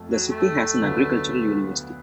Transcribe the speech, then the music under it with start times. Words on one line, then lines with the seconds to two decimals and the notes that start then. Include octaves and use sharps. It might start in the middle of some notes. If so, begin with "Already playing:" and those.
The city has an agricultural university.
Already playing: F2 F3 A3
0.09 F#3
0.28 A3
0.82 D2 D3 F#3 B3 F4